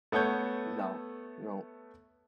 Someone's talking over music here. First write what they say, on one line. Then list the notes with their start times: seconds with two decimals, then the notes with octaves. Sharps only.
No. Nope.
0.12 A3 B3 A4 C#5 G6